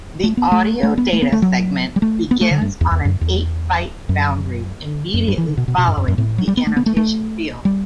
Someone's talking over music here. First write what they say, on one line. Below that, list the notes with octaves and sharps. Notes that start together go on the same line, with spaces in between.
The audio data segment begins on an eight-byte boundary immediately following the annotation field.
A3
B3
A3
A3
B3
A3
B3
A3
F#3
G3
A3
B3
A3
D3
G2
E2
E2
F#2
E2
F#2
F#2
G2
E3
D3
B2
B2
B2
G2
F#2
F#2
A2
F#3
G3
B3
A3
B3
A3
A3
G3